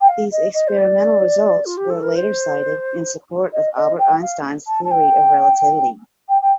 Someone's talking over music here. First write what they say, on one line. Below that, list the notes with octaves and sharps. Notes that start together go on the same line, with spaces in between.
These experimental results were later cited in support of Albert Einstein's theory of relativity.
G5
F5
D#5
D#5
C5
D5
F4
G4
A4
A#4
C5
D#5
D#5
G5
F5
A5
A5
G5
G5
G5